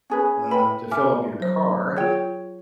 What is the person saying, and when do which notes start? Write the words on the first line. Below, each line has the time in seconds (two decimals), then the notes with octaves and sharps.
uh, to fill up your car,
0.10 C#4 G#4 B4
0.51 B4 G5 B5
0.91 E5 G#5 D6 F6
1.40 F#3 C5
1.96 F4 G#4 C#5 G5